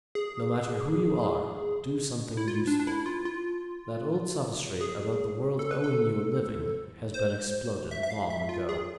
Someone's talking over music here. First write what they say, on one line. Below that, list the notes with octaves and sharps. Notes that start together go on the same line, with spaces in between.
No matter who you are do something useful. That old sophistry about the world owing you a living has been exploded long ago.
G#4
E4
F4
D4
D4
E4
F4
F4
G#4
A4
B4
A4
C5
E5
E5
F5
E5
F4
G#4